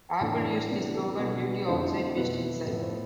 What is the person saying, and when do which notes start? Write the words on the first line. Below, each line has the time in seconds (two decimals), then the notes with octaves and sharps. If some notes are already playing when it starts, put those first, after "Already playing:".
Apple used the slogan Beauty outside, Beast inside.
0.21 A2 E3 B3 D4 A4
0.70 C3 E3 B3 D4 G4
0.94 A4
1.19 B2 B3 D4 B4
1.68 F2 D3 F3 A3 E4 C5
2.17 B2 B3 E4 B4
2.66 A2 F3 B3 A4
2.83 C5